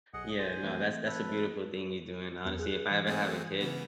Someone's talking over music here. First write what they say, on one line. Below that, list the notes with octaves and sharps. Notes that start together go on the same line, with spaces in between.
Yeah, no, that's that's a beautiful thing you're doing, honestly, if I ever have a kid,
B1 G#4 D#5 F#5
C5 G#5
E3 A3 C4
A4 B4
E2 B3
G#4 F#6
E3
A3 C4 G#4
C#3 E3 B3